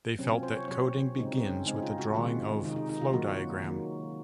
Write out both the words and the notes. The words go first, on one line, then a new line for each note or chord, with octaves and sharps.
They felt that coding begins with the drawing of flow diagram.
C3 F#3 C4 C#4
F4
C5
C#5
C3 F#3 C4 C#5
C#3 G#3 C4 D#4
C4
C#4
C#3 G#3 C4 D#4
D#4
F4
F#4
C3 D#3 G#3 F4
C3 D#3 G#3 D#4
D#4
D#4
F4
D#3 F#3 A#3 F#4
D#3 F#3 A#3